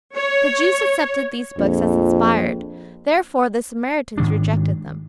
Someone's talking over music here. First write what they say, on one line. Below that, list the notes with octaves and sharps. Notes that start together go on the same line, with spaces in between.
The Jews accepted these Books as inspired; therefore the Samaritans rejected them.
C#5
A#1 F2
G#2 D#3 D4